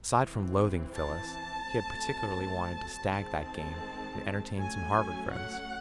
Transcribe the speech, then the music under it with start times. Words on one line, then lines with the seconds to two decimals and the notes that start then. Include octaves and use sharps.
Aside from loathing Phyllis, he had particularly wanted to stag that game and entertain some Harvard friends.
0.21 E3 C4
0.94 A5
1.66 F#3 A3 C4
3.12 D#3 G#3 C4 A5
4.57 F#3 A3 C#4 G#5
5.30 F#5